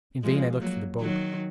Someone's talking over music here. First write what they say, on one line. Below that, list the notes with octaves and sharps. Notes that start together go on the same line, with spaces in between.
In vain I looked for the boat.
F3 G#3
F#3 A#3
D#3 F#3